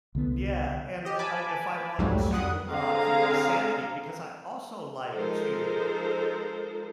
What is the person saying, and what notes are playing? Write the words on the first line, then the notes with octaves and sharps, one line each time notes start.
Yeah, and, uh if I want to, uh, keep my sanity because I also like to
C2 D3 B3
G4 D#5
G#5 A5 B5 D6
C2 F2 G#2 F#3 G3 A3
F2 G3 F#5 D#6 F#6
D3 C4 G#4 F5 A#5
F3 G#3 D#4 A4 A#4 C5